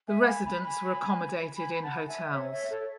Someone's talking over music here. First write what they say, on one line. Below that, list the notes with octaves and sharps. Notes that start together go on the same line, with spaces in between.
The residents were accommodated in hotels.
E5 G#5
A5
G#5 B5
G#5 B5
G#5 B5
G#5 B5
B5
F#5 A5
E5 G#5
C#5 E5
C#5 E5
A4 C#5